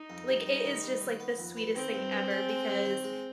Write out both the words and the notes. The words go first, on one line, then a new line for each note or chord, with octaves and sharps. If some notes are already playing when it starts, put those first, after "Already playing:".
Like, it is just like, the sweetest thing ever because,
Already playing: D#4
F2
G3
G3
D#3
G3
D#3
B3
F2
B3
D#3 C4
G2
G2
G#3
G#3
G2
D#3
G#3